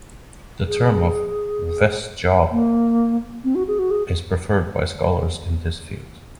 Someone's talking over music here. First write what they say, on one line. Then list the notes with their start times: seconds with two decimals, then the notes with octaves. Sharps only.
The term of "West Java" is preferred by scholars in this field.
0.67 G#4
2.52 A#3
3.44 C4
3.55 F#4
3.68 G#4
3.79 F#4
3.91 G#4